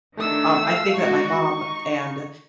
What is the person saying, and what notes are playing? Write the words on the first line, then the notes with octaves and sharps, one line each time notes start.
um, I think that my mom and
D#3 A3 D4 E6
F5
G#3 D#4 F#4 C#6
D#4